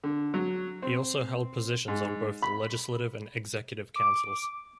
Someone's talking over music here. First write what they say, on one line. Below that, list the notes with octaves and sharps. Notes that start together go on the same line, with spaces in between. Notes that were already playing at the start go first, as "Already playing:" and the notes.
He also held positions on both the Legislative and Executive Councils.
D3
F#3
C4
G#2
B5
D6